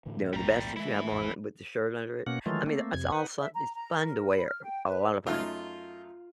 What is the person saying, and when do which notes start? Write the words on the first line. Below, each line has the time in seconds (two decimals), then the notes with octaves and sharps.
you know, the vest that you have on with the shirt under it. I mean, that's all someth It's fun to wear, a lot of fun.
0.06 A2 D3 E3
0.33 B1 E2 A2 G3 A#5
0.77 E3 G#3 A3 E4
1.12 A1 F2
2.27 B2 A#3 C#4 F#5
2.46 D#3 E3 F#3 G#3 A3 F4
2.66 A3 A#3 C4
2.94 F2 C3 G#6
3.12 D#4 B4 F#5
3.41 E5
3.54 A#5
3.74 A#5
4.00 A#4
4.31 B5
4.46 F6
4.64 G5
4.89 B4
5.26 F#2 A3 D#4 F4